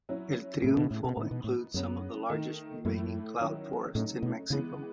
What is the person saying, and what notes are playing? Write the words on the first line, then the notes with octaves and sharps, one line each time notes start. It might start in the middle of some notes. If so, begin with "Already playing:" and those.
El Triunfo includes some of the largest remaining cloud forests in Mexico.
F#3 C#4 E4
A2 C#3 G#3 B3 E4
B2
A2
B2
A2 E3 B3 D#4
B2
A2
F#2 C#3 F#3 B3
D#3 A3 D#4
F#2 A2 E3 A3 E4
D#3 F#3 C#4 E4
A2 C#3 F#3 A3 D#4
B2
C#3 E3 G#3 B3